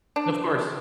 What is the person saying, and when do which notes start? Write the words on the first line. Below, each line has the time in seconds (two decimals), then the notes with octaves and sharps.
Of course.
0.16 D4